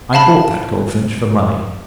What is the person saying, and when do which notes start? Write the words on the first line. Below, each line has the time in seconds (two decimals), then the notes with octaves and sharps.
I bought that goldfinch for money.
0.13 E5 F5 A5 B5